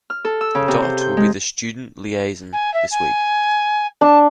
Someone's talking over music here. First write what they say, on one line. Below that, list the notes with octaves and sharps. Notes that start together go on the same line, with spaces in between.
Dot will be the student liaison this week.
F6
A4
E6
C#3
C3
C5
G6
G#3
G#5
E5
G#5
D4 A5